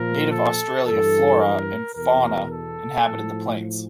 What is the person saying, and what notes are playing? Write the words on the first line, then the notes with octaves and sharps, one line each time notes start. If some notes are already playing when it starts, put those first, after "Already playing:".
Native Australia flora and fauna inhabited the plains.
Already playing: A#2 F3 A#4
A4
G2 E3 A4
A#4
E2 B2 A#4
A4
A2 F3